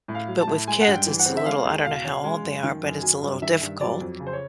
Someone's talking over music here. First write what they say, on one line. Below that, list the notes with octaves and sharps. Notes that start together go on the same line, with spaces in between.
but with kids it's a little I don't know how old they are, but it's a little difficult,
A2
F5
F#3
A5
A2
G#3 G#5
F#5
G2
G5
E3
F#5
C4
E5
G#3 F5
E2
B2 F5
C#4
G#3
F#2
D#3
F#2
F#3 G#5
G2
D#3 E5
G2
F#3 D5
F2
C#3
C5
C#5